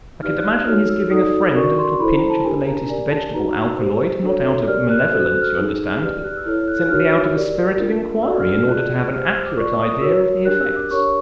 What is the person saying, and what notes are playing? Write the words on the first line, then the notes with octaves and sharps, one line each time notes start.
I could imagine his giving a friend a little pinch of the latest vegetable alkaloid, not out of malevolence, you understand, but simply out of a spirit of inquiry in order to have an accurate idea of the effects.
D#4 G4 B4 D5 F6
F#6
F#6
D#4 F#4 A4 C#5 F6
E6
D#4 F#4 A4 D5 D#6
D4 F#4 A#4 D5 C#6
C6
E4 A4 C5 B5
A#5
A5
D4 G4 A#4 G#5
A#5
G4 A#4 D5 G#5
A5
D#4 F#4 B4 A#5
E6
G4 C5
D4 F#4 A4 C#5
G4 A#4 D5 F6
F#6
F#4 A4 C5 F#6
F#6
F6
D#4 G#4 B4 E6
G4 B4 D5 F6
F#6
E6
E4 A4 C#5 F6
F#6
F#6
D#4 F#4 A#4 C#5 F6
E6
G4 A#4 D5
D4 F4 A#4
D4 F#4 A4 D5 E6
F6
E6
F6
F4 G#4 B4 D5 F#6
G4 C5 F6
F6
E6
D6
F4 A#4 D5 C#6
D#6
F#4 A#4 C#5 E6
D4 G4 A#4 F#6
E6
D6
D4 G4 A#4 C#5 C#6